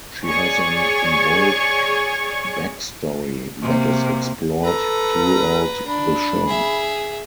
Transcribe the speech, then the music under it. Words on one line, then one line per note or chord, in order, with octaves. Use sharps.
She has an involved back story that is explored throughout the show.
G#4 C#5 D5 C#6 G#6
C3 A#3
A4 B4 A#5
D4 B5
G#4 E5